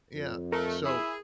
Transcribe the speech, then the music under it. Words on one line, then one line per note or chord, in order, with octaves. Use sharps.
Yeah, so
F2
A3 A#4
E4 G#4